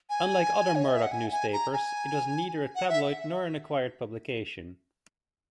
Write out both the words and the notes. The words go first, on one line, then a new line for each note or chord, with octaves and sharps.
Unlike other Murdoch newspapers, it was neither a tabloid nor an acquired publication.
G#5
C#5
D#5
E5
F#5
G#5
G#5
A#5
G#5
F#5
E5